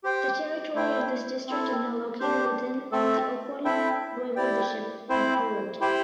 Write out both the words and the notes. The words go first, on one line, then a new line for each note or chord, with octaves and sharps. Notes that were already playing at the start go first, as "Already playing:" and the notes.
The territory of this district is now located within the Opole Voivodeship of Poland.
G4 C5 G5
A3 E4 C5 G5
C4 E4 A4
D4 G4 C5
A3 C4 A4
C4 E4 A4 E5 G5
E4 G4 D5 G5
C4 E4 C5
E4 G4 C5 G5